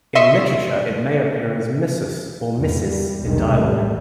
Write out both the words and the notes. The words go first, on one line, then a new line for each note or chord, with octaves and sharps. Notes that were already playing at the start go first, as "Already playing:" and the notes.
In literature it may appear as "missus" or "missis" in dialogue.
D#5 E5 C6 C#6
E2 G#2 B2
G3
B1 E2 G2 C3 D#3 G#3
A1 G3 A3